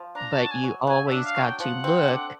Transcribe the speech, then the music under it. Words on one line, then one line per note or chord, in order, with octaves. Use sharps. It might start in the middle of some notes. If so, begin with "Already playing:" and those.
But you always got to look
Already playing: F3
D4 A#5
A5
F#3
G#5
F#3
F#3 G#5
E5
D4
F5
F#3
G5
F3 F#5
C4
D3